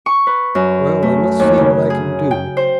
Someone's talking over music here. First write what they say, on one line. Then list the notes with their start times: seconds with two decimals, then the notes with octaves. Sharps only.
Well, I must see what I can do.
0.06 C#6
0.27 B4
0.55 F#2
1.03 A3
1.40 D#2
1.58 C#3
1.90 G#4
2.31 G5
2.57 C5